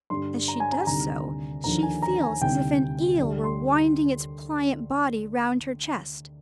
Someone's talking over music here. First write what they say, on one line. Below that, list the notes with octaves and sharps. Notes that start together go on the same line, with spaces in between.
As she does so, she feels as if an eel were winding its pliant body round her chest.
G2 D3 G3 C6
A#5
G#5
A#5
D2 C3 D#3 G3 A#5
D#2 D3 F3 A#5
G#5
A#5
G#5
D2 C3 D#3 G3 G5
D2 D3 G3
C6